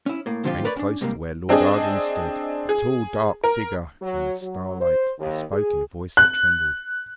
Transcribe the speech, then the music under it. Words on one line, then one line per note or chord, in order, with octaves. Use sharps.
He came close to where Lord Arden stood--a tall, dark figure in the starlight--and spoke in a voice that trembled.
C#4 E4
A2 A#3
G#2 D3 F3 C4 F4 G4
A#4 B4 C#5 D5 B5
C#4 D4
G#2 C3 G3 A#3
C4 D4 G#4 D#5
G#4
A#4
F#3
F#3
C5
D#2
G#4
F#6